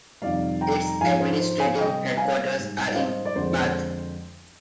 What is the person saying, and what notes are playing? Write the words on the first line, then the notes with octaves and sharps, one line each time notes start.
Its administrative headquarters are in Bath.
F2 C3 D#3 G3 D5 F5
G5 A#5
G#2 F3 G#3 F5 G#5
C5
C5
F5 G#5
C3 G3 D#5 G5
F5 G#5
G#2 G3
F5
C5 D#5
D5
F2 D3 G#3 C5